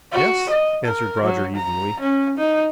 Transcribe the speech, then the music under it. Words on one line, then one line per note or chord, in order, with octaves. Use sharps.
"Yes," answered Roger evenly.
F#4
D#5
A#4
F#3
A#5
C#4
D#4